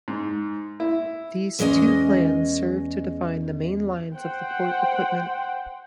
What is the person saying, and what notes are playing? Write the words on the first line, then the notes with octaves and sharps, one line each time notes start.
These two plans served to define the main lines of the port equipment.
G#2
E4
E2 G#3 C#4 D#5 G#5
C5 F#5 G5